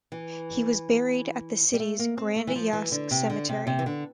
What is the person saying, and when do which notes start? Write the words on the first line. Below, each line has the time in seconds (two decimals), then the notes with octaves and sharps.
He was buried at the city's Grand Jas Cemetery.
0.12 E3
1.74 G3
1.80 A3
1.99 A#3
2.18 C4
2.36 A3
2.47 E3
2.56 F3
2.73 E3
2.92 D3
3.11 C3
3.30 D3
3.49 C3
3.67 C3
3.79 E3
3.86 D3